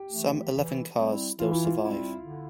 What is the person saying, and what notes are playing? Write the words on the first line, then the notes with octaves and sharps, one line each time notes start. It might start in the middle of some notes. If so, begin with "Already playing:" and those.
Some eleven cars still survive.
Already playing: G4
E3 A3
E3
G3 C4 E4
E3 F4
E4
F4
G3 C4 E4
D3